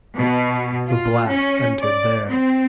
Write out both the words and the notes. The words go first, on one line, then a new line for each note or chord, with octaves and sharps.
The blast entered there.
B2
F4
C#4
D5
C4